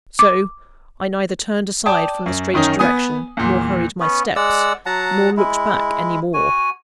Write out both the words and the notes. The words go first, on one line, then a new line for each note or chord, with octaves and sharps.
So, I neither turned aside from the straight direction, nor hurried my steps, nor looked back any more.
D6
D5 G5 A5 D#6
F#2
F#2 D#3 C#4 D#4
B3 G#5 D#6
E2 A#2
B3 C#4
G#3 D5 F#5 E6
F#3 F#5 A5 A#5
G#3 E4
F#4 G#5